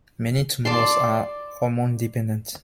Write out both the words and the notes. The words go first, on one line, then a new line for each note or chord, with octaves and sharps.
Many tumors are hormone dependent.
D5 A5 C6